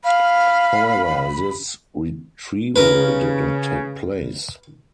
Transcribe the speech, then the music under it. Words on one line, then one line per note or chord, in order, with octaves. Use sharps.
However this retrieval did not take place.
F5 B5
C#3 A#4 B4